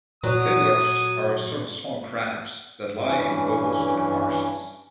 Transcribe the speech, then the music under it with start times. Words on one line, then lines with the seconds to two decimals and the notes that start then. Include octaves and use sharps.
Fiddlers are a sort of small crabs, that lie in holes in the marshes.
0.24 A#2 F#3 D#6
3.06 G2 E3 C#4